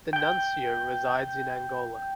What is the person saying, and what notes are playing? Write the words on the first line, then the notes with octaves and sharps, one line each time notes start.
The nuncio resides in Angola.
G5 G6